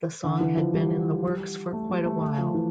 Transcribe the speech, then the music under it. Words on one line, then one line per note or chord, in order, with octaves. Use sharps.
The song had been in the works for quite a while.
D3
E3
F3
G3
A3
G3
A3
A3
F3
E3